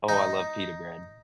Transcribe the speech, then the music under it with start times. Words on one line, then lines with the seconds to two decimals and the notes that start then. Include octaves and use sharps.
Oh, I love pita bread.
0.09 D#4